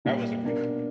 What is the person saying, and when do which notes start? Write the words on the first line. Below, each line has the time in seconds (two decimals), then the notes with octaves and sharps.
that was a great point.
0.05 A#2 G3 A#3
0.43 B2 A#3 D4 A#4